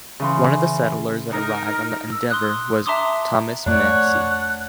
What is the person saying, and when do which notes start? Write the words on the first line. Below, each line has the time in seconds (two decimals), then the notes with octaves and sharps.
One of the settlers that arrived on the "Endeavor" was Thomas Massey.
0.20 C#3 E3 C6
1.30 D#4 A#4
2.12 E6
2.30 C6 D#6 F#6
2.86 E5 A5 A#5 C6 D6 D#6
3.66 F2 A3 D4 C#5 D5 F#5 F#6